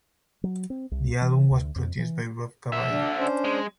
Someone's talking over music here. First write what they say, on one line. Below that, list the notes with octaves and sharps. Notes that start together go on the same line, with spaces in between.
The album was produced by Rob Cavallo.
F#3
C4
C2
E3
D2
F2
E3
D3 E5
D4
C#4 D4 C5
G#3